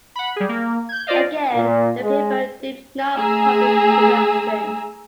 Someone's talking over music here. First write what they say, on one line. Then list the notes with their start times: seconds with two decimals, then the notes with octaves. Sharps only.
Again, the paper did not publish a correction.
0.16 F#5 B5
0.36 G3 G#4
0.49 A#3
0.89 G6 G#6
1.07 F4 C5 D5 D#5 F5
1.53 A#2
2.01 G#3
3.15 A3 G#4 G#5 A#5 E6